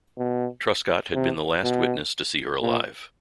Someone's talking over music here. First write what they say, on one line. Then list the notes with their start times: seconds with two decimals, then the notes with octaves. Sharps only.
Truscott had been the last witness to see her alive.
0.18 B2
1.14 C3
1.64 B2
2.62 A#2